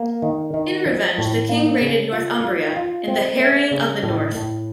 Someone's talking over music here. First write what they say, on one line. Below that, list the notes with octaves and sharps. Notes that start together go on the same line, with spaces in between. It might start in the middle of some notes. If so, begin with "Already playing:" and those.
In revenge, the King raided Northumbria in the "Harrying of the North".
Already playing: A#3
D#3
D#3
F3
A2
A#3
C#3
F4
F4
F4
C4
A3
C#3
A2
A2